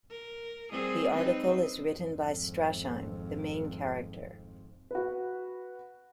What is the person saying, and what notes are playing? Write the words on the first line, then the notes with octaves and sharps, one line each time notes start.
The article is written by Strasheim, the main character.
A#4
G3 C4 G#4
C4 D#4 B4
G#1 F2
F#4 B4